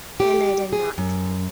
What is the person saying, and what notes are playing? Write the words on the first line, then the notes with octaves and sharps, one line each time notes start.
And I did not.
G4
G#4
F#2